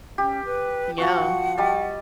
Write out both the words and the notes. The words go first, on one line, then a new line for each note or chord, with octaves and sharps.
Mm yeah.
C#4 G4
B4
F3 F#4 F#5 C#6
G3 D#5 A5